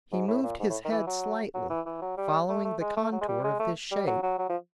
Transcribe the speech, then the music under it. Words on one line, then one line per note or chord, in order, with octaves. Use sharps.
He moved his head slightly, following the contour of this shape.
G#2
A2
A#2
G#2
A2
D#3
E3
F#3
F#3
E3
E3
F#3
G3
A3
A3
G#3
A3
F#3
G#3
G3
G#3
A3
G3
F#3
F#3
F#3
F3